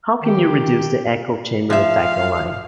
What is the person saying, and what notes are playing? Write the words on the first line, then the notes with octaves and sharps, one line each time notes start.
How can you reduce the echo chamber effect online?
D#3 G4
F3 E5 F5